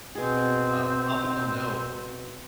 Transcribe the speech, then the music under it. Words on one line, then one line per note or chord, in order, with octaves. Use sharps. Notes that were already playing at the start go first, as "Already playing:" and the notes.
Uh, lotta people don't know
B2 C4 G#4